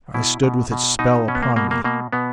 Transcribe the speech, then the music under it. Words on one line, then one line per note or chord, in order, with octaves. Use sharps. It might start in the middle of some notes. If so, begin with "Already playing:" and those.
I stood with its spell upon me.
B2 E4
B2
B2
B2 D#4
B2 C#4
B3
A#3
B2 A#3
A#3
B2 A#3
B2 B3